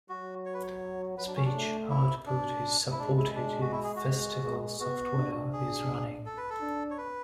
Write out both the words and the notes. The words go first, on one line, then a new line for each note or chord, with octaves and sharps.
Speech output is supported if Festival software is running.
F#3 F#4
C#5
B4
C#5
F#3 B4
D4
C#4
D4
A3
E4
D4
E4
G#3 D4
E4
D4
F#4
E4
G#4
F#4
G#3
G#3
B3 F#4
D4
G#4
A4
B4
A4
D4
C#5
B4